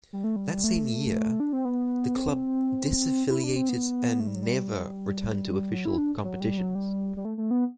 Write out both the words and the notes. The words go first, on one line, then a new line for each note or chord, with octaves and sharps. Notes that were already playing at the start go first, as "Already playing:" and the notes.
That same year the club disaffiliated and never returned to official competitions.
G3
A3
G3
A3
D4
C4
B3
C4
E4
D4
C4
B3
A3
G3
F#3
G3
F#3
E4
D4
F#3
G3
F#3
G3
G3
A3
A3
B3